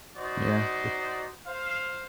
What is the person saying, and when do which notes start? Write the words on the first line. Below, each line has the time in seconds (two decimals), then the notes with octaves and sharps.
Yeah, it
0.17 D#4 F#4 C5 D5 D#5
1.46 C5 F5